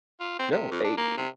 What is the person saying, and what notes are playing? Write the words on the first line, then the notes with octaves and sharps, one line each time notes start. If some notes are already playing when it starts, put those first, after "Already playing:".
No, a th
F4
C4
C3
F2
D4
A#3
C3